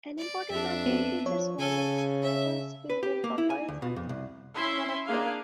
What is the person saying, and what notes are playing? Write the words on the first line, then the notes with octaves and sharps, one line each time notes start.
An important marketing feature was its greater speed in comparison to Kodachrome.
D5
F2 D4 E5
B3 C4
F3 C#5
C#3 A4 G#5
E5
B4
G4
A#3
E4
G#5
D2
B2
F2
C2
C#4 E4 E5 C6
A#3 D4 G#4 F5